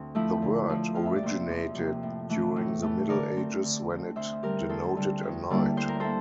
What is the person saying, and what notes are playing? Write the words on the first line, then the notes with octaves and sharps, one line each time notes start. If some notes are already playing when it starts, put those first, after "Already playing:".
The word originated during the Middle Ages when it denoted a knight.
Already playing: D2 C4
F3 A3 E4
D3
F3 A3 E4
F2 F5
E5
D5
C3 F3 A#3 C5 E5
F2
C3 F3 A#3
A2
E3 A3
A2
E3 A3
D3 A#4 D5
A3 C4
D3
A3 C4
D2 C5 E5
D3 G3 C4 G4 A#4
D2 A4 C5
D3 G3 C4
D2
D3 G3 A#3 E4
D2 C5
A#4
A#3 E4 A4 C5